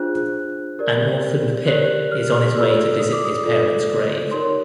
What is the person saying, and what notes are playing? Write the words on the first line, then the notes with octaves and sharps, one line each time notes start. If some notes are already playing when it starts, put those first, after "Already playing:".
An orphaned Pip is on his way to visit his parents' grave.
Already playing: D4 F4 G#4 C5 F#6
G4 A#4 D5
G4 A#4 D5 F#6
F6
F4 A4 D5 E6
D#6
D6
D#6
F4 A4 D5
D#4 G4 A#4 C#5 C6